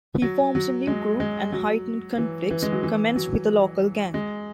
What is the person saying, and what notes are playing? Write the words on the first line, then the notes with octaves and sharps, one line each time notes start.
He forms a new group and heightened conflicts commence with a local gang.
F#3
F#3
G#3
G#3
F#3
E3
E3
G#3
F#3
E3
F#3
G#3